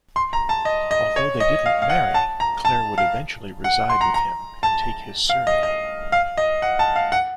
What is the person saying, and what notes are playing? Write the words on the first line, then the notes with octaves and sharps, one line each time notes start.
Although they didn't marry, Claire would eventually reside with him and take his surname.
C6
A#5
A5
D#5
D#5
C#5
D#5
F5
F5
F#5
A5
A#5
A5
F5
F#5
C6
A#5
A#5
A5
F5
D#5
D#5
F5
D#5
F#5
A5
F5
F#5